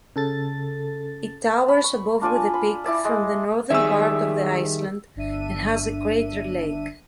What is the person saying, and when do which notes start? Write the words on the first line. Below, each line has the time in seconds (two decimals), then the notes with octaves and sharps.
It towers above with a peak from the northern part of the island and has a crater lake.
0.16 C#3 A4 A6
1.68 B5
1.84 C#6
2.21 D4 F4 D5 G#5
2.54 B5 C6
2.84 E4 D5 E5
3.05 G#3
3.70 D#3 G3 G#4 E5 E6
5.16 G1 D4 E5 D#7